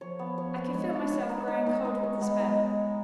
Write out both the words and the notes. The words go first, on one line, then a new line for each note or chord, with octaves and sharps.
I could feel myself growing cold with despair.
F3 C#5
B3
C#5
B3
G#3 C#5
C#5
C#5
D#4
D#4
D#4
D#4
C#5
G#3 B3
D#4